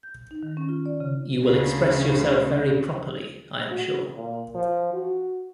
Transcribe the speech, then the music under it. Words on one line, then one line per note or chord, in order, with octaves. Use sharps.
You will express yourself very properly, I am sure.
G6
D#4
D#3
C#4
F4
D5
C#3
D2 C#3
F#4
A#2
F3
F#4